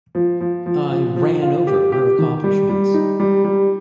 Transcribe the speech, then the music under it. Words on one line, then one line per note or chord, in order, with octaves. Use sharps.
I ran over her accomplishments.
F3
F3
F3
F3
F3
F4
G4
G4
D#3
G3
G3
D#4
G3
G3